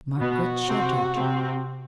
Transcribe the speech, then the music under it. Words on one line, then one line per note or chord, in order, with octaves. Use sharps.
Margaret shuddered.
B2 B3 F#4
C3 C4
C3 C4